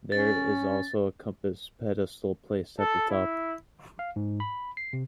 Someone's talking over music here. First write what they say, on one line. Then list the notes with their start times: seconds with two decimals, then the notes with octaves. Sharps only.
There is also a compass pedestal placed at the top.
0.12 C#4 A6
2.79 A4
3.10 E4
3.99 F5
4.16 G#2
4.40 B5
4.77 C7
4.93 C3